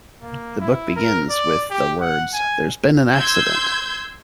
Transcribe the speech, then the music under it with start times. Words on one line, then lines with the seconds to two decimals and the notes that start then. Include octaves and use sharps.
The book begins with the words There's been an accident!
0.22 A#3
0.60 E4
0.97 A#4
1.29 D5
1.70 G4
2.01 F#5
2.34 G#5
3.15 C6 E6 G6 G#6